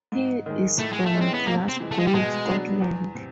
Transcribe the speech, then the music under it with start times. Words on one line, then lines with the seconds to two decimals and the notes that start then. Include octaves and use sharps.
He is from Glasgow, Scotland.
0.12 G#2
0.46 D#3 G#3
0.79 A2 A3
0.93 G#3
1.06 A3
1.13 E3 G#3 C#4
1.21 C4
1.34 B3
1.46 C3 A#3
1.69 C4
1.80 E3 G#3
1.92 A3
1.99 G#3
2.07 G3
2.14 B2 G#3
2.48 F#3 B3 D4
2.81 E2
3.15 C3